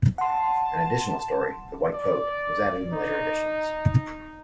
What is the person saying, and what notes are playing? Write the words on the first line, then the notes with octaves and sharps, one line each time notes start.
An additional story, "The White Boat", was added in later editions.
F#5 A5 C6
D5
D#4